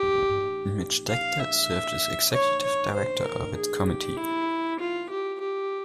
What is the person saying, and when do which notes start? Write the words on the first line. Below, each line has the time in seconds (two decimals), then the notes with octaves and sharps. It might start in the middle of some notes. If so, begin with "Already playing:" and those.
Midge Decter served as Executive Director of its Committee.
Already playing: G4
1.10 F5
1.40 E5
2.33 C#5
2.63 C#5
2.94 C5
3.24 A#4
3.56 G#4
3.87 G4
4.17 E4
4.79 F4
5.10 G4
5.40 G4